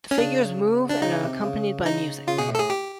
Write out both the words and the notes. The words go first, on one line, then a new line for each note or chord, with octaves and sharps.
The figures move and are accompanied by music.
C#4
C#3 D4
D4
C#3 D#4
C3
C#3
D#4
C#3 F4
B2 G#4
A2
A4
A2 G#4
G4